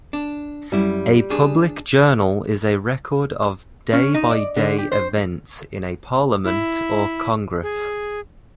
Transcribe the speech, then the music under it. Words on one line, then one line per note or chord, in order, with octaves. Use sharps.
A public journal is a record of day-by-day events in a parliament or congress.
D4
F#2 G3 E4
D4 G#4
C#4
D#4
D5
D3
G4
C5
E4
G#4